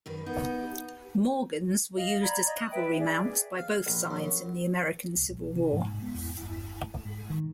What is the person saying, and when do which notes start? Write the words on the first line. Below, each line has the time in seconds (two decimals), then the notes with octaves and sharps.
Morgans were used as cavalry mounts by both sides in the American Civil War.
0.06 F#2 D#3 B4
0.26 B3 D#4 G6
1.97 D#5 F5
2.22 D5 A#5 B5 G#6
2.45 D5 D#5
2.57 D#6 F#6
2.72 B4 E5 G5
2.99 G#4 D5
3.58 F5
3.87 A#1
4.11 F#2
5.16 C2
5.30 A#1
5.55 C3
5.73 G#2
6.02 B3
6.14 E2
6.41 G1
7.05 G#2
7.30 D#3